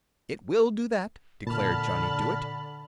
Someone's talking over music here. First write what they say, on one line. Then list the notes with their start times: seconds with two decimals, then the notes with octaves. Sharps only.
"It will do that," declared Johnny Dooit.
1.47 A#2 D3 A5 B5 F6